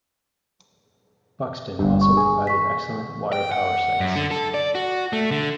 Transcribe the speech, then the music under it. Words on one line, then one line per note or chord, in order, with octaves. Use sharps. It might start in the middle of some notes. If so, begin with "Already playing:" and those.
Buxton also provided excellent water power sites.
G1 G2
C#6
G#4
C#6 B6
G5
F#5
F#2
D3
A4
D5
F#4
A3
D3